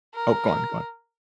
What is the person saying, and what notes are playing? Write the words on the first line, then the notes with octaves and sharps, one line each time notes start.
oh, go on, go on.
A#4